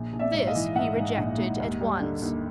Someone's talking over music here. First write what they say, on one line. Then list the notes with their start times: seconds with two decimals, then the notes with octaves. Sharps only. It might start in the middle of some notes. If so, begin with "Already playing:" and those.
This he rejected at once.
Already playing: A#1
0.13 A#1
0.19 D5 E5
0.34 G#2
0.47 D#5 F5
0.55 E3
0.75 G#2 E5 F#5
0.96 G#2
1.17 A#1
1.38 G#2
1.60 D#2
1.81 G3
2.00 D3
2.22 D#2